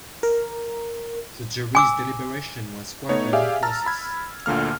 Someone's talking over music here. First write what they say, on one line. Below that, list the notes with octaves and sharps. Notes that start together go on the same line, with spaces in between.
The jury's deliberation was quite a long process.
A#4
G#5 D6 E6
A3 B3 D#4 C#5
G4 G#4 D5 E5 F5 G#5
A5 A#5 E6 F6 A6
B5 G#6
D2 A#2 D3 A#3 F6